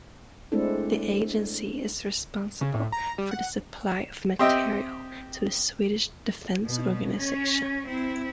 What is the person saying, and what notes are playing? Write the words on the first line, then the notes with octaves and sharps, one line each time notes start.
The agency is responsible for the supply of materiel to the Swedish defence organisation.
G#3 A3 C4 D4 E4 A4
C#3
A2
A#5
G3
F#5
C4 G4 D#5 E5 G5
B2
C#4 C#5
C4 E4